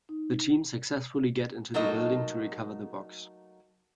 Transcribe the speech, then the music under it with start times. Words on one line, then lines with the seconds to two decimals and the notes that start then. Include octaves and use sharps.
The team successfully get into the building to recover the box.
0.09 D#4
1.74 F#3 A3 A#3 D#4 A4 D#5